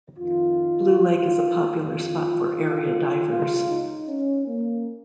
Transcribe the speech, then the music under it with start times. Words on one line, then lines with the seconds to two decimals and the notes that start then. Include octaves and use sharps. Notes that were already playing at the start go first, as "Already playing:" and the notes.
Blue Lake is a popular spot for area divers.
0.18 F2 D#3 F4
1.74 F2 D#3 F4
3.30 C#2 C#3 F4
3.68 D#4
4.07 C#4
4.46 A#3